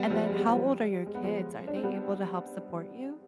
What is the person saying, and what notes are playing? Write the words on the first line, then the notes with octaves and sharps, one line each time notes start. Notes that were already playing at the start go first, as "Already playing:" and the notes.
and then how old are your kids? Are they able to help support you?
Already playing: G3 B3
F3 G#3
G#3
G3
F3
G3
G#3
B3
F3 G#3
D4
C4
G3 B3